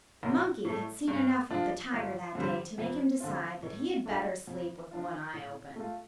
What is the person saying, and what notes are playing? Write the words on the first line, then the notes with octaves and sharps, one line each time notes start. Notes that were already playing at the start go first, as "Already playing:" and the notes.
The monkey had seen enough of the tiger that day to make him decide that he had better sleep with one eye open.
A1
A2 A3
G2
F3 D4 F4
G1
F2 D3 G3
F2
D3 F3 C4 F4
A2
A3 D4 F4
F2
F3 D4 F4
A2
A3 F4